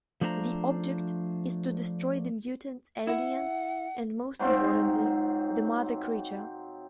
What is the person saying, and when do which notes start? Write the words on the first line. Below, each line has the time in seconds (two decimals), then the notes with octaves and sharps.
The object is to destroy the mutants aliens and, most importantly, the Mother Creature.
0.21 F3 A3 D4 C5 E5 A#5
3.07 E4 F#5
4.39 G#2 F#3 C4 F4